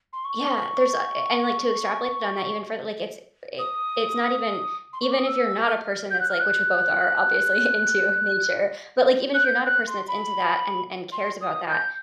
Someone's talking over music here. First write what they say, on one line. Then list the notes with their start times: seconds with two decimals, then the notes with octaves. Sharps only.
Yeah, there's, uh eh, and, like, to extrapolate on that even further, like, it's eh, it's not even even if you're not a person that's, like which we both are, obviously, into nature but, like, even if you're not a person that's into that and and cares about that,
0.13 C6
0.24 C#6
3.58 D#6
4.93 C6
5.02 C#6
5.10 D6
5.18 D#6
5.26 E6
5.67 F6
6.10 G6
6.20 F#6
6.29 F6
6.39 F#6
9.34 F#6
9.44 G6
9.65 F#6
9.87 C6
10.08 B5
11.12 C6
11.40 D#6
11.68 G6